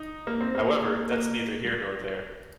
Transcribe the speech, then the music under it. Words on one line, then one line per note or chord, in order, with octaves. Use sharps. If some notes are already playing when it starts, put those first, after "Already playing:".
However, that’s neither here nor there.
Already playing: D#4
A#3
C4
A#3
A#3